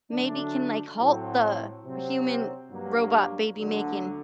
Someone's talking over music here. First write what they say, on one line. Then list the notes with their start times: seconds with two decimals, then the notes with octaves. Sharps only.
maybe can, like, halt the human robot baby making,"
0.12 D2 D3 F#3 A3 D4
0.98 A2 F#3 C4
1.85 C3 F#3 C4
2.71 G2 F#3 A#3
3.56 D2 D3 F#3